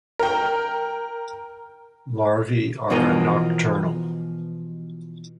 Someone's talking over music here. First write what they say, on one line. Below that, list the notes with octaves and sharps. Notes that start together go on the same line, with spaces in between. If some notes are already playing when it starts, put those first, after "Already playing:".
Larvae are nocturnal.
A#4 G5
B2 E3 F3 A#4 D#5